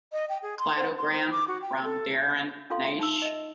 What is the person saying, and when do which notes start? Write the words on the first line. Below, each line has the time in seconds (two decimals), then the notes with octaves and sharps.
Cladogram from Darren Naish.
0.12 D#5
0.29 G5
0.42 G#4
0.58 C6
0.76 C5
0.97 C6
1.12 C5
1.31 D6
1.47 F#4
1.61 G5
1.83 A4
2.70 C#4 F4 A4 F5 C6
2.85 E5
2.99 D#4 A5 E6
3.22 D#5 E5